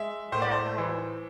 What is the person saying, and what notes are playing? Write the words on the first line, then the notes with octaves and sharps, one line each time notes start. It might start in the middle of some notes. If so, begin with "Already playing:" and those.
yeah, no.
Already playing: G#3 E5
A2 C5
D5
C5
E3